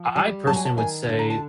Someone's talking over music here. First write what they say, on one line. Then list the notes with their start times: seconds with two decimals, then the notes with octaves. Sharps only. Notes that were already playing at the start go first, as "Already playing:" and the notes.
I I personally would say
Already playing: F3
0.16 G3
0.47 F#3 A5
0.56 G#5
0.65 A5
0.77 D#3 G#5
1.09 D3
1.19 A#5
1.30 A5